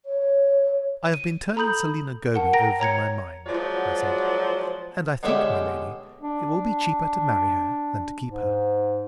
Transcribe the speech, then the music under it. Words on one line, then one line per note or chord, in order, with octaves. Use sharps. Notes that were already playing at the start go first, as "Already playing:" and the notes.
"I have been turning Selina Goby over in my mind," I said, "and I think, my lady, it will be cheaper to marry her than to keep her."
C#5
D#7
A4 A#5 B5 D#6 G6 F#7
A#4 F#5 A5
G5 A#5 A#6 D7
C#5 A#5 G#6 C#7
F3 F#3 G#3 F#4 D5
B2 D3 G#3 C#4 G4 E5
D4
G#2